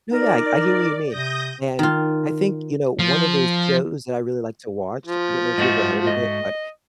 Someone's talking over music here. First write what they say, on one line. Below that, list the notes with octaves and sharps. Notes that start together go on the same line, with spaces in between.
No, yeah, I I get what you mean. And I think, you know, one of those shows that I really like to watch, I don't know if you've ever heard of it, but
D#4 A#4 D5
C3 D#6 G6 A#6
D#3 F4
F3
F3
G#2 A3 F#4 D#5
D#5